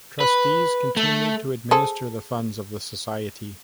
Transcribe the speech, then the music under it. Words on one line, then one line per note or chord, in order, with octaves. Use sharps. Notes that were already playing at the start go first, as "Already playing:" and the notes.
Trustees continued to administer the funds of the Society.
B4
A3
G#4 A4 C5